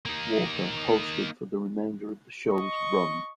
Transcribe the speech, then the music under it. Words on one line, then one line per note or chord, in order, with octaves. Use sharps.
Walker hosted for the remainder of the show's run.
A#3 D#4
D#5 C#6